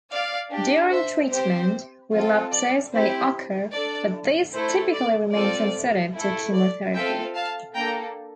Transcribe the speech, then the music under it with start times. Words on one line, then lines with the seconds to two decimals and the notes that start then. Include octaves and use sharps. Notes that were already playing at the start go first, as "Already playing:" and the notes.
During treatment, relapses may occur but these typically remain sensitive to chemotherapy.
0.11 D5 F5
0.51 D4 G4
0.91 C5 E5
1.31 C4 G4 C5
2.12 C4 F4 A4
2.53 D5
2.92 C4 E4 G4 C5
3.72 D4 A4 D5
4.53 A3 E4 A4 C5
4.93 D5
5.33 C4 F4 A4 D5
6.15 A3 E4 A4
6.54 D5
6.94 C4 F4 A4 E5 G5
7.34 F5 A5
7.75 A#3 D4 A4 G5 A#5